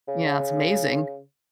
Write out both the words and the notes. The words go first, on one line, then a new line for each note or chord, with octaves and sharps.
Yeah. It's amazing.
C#3